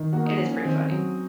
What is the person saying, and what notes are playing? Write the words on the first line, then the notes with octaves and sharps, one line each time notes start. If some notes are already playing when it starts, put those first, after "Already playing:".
It is pretty funny.
Already playing: D#3
A#3 F#4
D#4
F3 C#4
C#4
D#3 C4
F#3